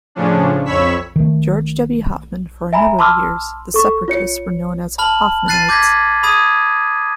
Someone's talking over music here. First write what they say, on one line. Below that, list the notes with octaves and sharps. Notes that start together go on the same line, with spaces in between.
George W. Hoffman, for a number of years the separatists were known as "Hoffmanites".
A2 C#3 F3 C#4 D4
F2 C#5 B5 C#6 E6 B6
D#3 A3
E5 G#5 A#5 B5
A5 B5 C6 D6 E6 F6
A4 C#6
F4 C#5 C#7
A5 B5 F6 F#7
F#6 A6 C7 D#7
D6 G6 G#6 A#6 B6
B5 D#6 G#6 D#7